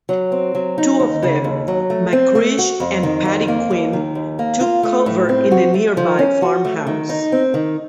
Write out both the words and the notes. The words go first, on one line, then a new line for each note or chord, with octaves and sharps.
Two of them, McCreesh and Paddy Quinn, took cover in a nearby farmhouse.
F#3
C4
F#3
D#4
D#2
C#3
D#2
F#3
A3
C4
A3
F#4
F2
D#3
F2
A#3
D#2
D#3
D#2
A#3
F4
A3
A2
C4
F#4
A3
F3
C#4
F#4
A3
D#3
D#4
C4
D#3